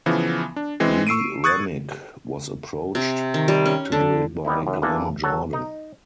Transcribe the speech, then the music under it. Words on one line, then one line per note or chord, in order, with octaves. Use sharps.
Lee Remick was approached to do it by Glenn Jordan.
C#3 E3 F3 B3
D4
E3 G#3 C4
C#6 E6 C7 D7 D#7
C#6 D#6 F#6 G#6 A6
C3
D#3
G3
C#4
D3
G3 B3 D#4 E4
F#2
E2 G2 A#3 D4 A4
F#3 A4
D#4